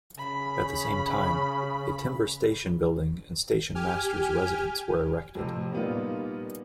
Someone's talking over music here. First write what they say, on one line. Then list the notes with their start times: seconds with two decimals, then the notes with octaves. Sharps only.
At the same time, a timber station building and station masters residence were erected.
0.18 C#3 B5
3.75 G4 G#5 F6
5.35 F2 A2 C3
5.72 A#2 G3 A#3 B3 D#4 F4